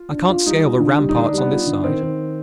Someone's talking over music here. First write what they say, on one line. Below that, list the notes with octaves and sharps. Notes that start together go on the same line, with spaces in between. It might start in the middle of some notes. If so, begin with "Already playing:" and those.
I can't scale the ramparts on this side!'
Already playing: F4
D4
F4
G3 D#4
F4
D3
G3
D#4
D3 D4
G3
B3
F4
D3
D#3 C4
D#3